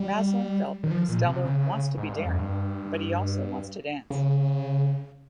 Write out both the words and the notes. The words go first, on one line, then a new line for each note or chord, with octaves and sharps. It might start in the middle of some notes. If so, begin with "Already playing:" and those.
Maslin felt that Costello "wants to be daring, but he also wants to dance".
Already playing: G3
D#3
F3
A#2
C3
C#3
G#2
G2
F2
G2
C#3